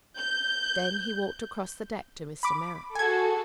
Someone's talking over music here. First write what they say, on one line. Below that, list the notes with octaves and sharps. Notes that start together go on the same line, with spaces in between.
Then he walked across the deck to Mr. Merrick.
G6
B5 D6
F#4 G#4 A4 G#5 G#6